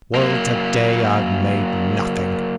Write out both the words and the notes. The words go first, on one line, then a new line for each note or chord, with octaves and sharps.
Well, to-day I've made nothing.
F#3 A#3